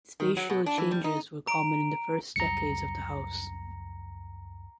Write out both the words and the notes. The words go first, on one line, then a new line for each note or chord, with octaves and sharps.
Spatial changes were common in the first decades of the house.
D#3
F#3
B2
D4
E3
G3
D#4
A#5 D7
C#2 F#2 G3 A#5 C#7